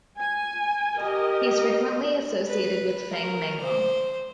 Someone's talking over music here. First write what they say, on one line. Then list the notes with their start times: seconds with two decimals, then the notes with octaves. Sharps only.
He is frequently associated with Feng Menglong.
0.18 G#5
1.00 G4 A#4 D#5
2.48 B4
3.12 A#4
3.62 C5